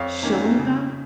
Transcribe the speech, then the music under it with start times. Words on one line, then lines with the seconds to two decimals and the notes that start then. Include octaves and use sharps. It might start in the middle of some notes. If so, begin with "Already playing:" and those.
showing them.
Already playing: F2 C#5 F5
0.23 D#3 A#3 C#4
0.58 C#3